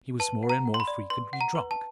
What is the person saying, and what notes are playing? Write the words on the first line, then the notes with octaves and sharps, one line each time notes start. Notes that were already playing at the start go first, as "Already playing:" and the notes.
He was more and more frequently drunk.
B4 A5
F#5
A#5
F#5
C6
B5
D5
B4 C6
F#5
A#5
B4
A5